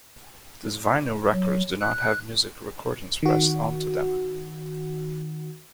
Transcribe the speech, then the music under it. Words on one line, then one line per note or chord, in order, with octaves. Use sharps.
These vinyl records do not have music recordings pressed on to them.
F#3
F#6
D#3 F#4